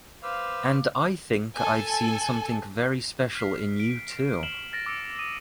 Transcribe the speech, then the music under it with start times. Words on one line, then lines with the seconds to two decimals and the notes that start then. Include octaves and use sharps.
And I think I’ve seen something very special in you too.
0.23 B4 C5 F5 D6 E6
1.55 A4 G#5
3.35 F6 B6 C7
3.80 D7
4.43 F6 C7 E7 F#7 G7
4.72 F6 A6 A#6 D7
4.86 D6 E6 A#6 C#7 D7
5.19 D#6 D#7